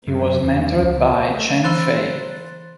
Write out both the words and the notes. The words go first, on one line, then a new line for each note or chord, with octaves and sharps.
He was mentored by Chang Fei.
F#2
E2
C#2
A3
E3 C5 C6 F#6 A6